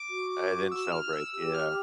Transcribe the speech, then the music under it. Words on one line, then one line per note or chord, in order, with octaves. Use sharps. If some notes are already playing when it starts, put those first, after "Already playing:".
I didn't celebrate, yeah.
Already playing: D6
F#4
E6
F6
E6
G4 E6
F6